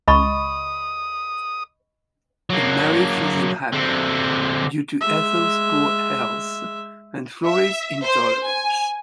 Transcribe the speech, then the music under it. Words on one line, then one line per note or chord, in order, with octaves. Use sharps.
The marriage was unhappy, due to Ethel's poor health and Florey's intolerance.
C#2 D#5 B5 C#6 D#6
F#3 A#3
D3 C4
G#3 E5
E5
C5
G#5